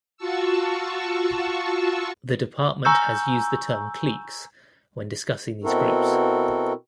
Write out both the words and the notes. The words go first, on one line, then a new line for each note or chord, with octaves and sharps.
The department has used the term "cliques" when discussing these groups.
F4 F#4 A5 C#6 E6
G#5 A#5 C#6 E6 G6
B2 C4 E4 F#4 A4 A#4